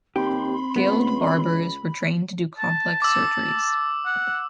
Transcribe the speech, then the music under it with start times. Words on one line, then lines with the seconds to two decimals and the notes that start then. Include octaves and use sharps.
Guild barbers were trained to do complex surgeries.
0.16 D#2 C4 G4 B5 C6
0.76 C#2 B3
2.58 A5
3.02 D6 E6
4.06 F#5